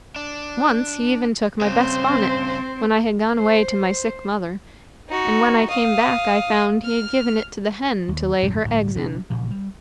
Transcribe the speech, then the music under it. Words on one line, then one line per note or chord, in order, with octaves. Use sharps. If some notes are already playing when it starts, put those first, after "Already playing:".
Once he even took my best bonnet, when I had gone away to my sick mother, and when I came back I found he had given it to the hen to lay her eggs in.
D4
G2 C#3 C4 C5
C5
D#4 F#4
F5 D#6
F6
D#2
A#1 F2 G#2 C#3
G1 D2 A2 G3
F#1 B2 E3 D4
A1 A#2 C#3 F3
G3